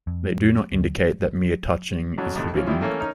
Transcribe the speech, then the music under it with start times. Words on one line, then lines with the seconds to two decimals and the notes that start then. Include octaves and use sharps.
They do not indicate that mere touching is forbidden.
0.07 F2
0.73 D2
2.18 F2 F#3 C#4 F#4
2.35 F2 A2 C3 D#3
2.53 G#2 E3 F3 C#4
2.67 D#3 E3 G3 E4 F4
2.81 E3 A3 A#3 C#4
3.00 C#4 D#4 A#4